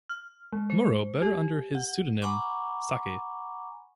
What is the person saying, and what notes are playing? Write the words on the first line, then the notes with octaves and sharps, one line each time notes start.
Munro better known under his pseudonym Saki.
F6
G#3
C5
G4
F#5
F#5 G#5 A#5 B5 C#6 D6